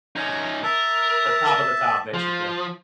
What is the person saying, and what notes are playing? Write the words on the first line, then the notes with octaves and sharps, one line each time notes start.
The top of the top, basically.
C#4 D#4 A#5
A#4 E5 A5
F3 C5